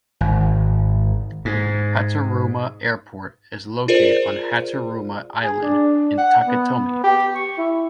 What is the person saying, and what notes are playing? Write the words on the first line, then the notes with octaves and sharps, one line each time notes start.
Hateruma Airport is located on Hateruma Island in Taketomi.
G#1
G#2
F4 G#4 A#4 C5 D5
G#4
D4
F#5
B3
G4
C#6
E4